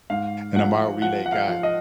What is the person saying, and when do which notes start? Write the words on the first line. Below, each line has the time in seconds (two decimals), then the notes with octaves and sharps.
and I'm our relay guy.
0.10 G#2 F5
0.56 F3 F#5
1.02 F3 F#5
1.26 F#5
1.32 F5
1.48 F3
1.63 D#5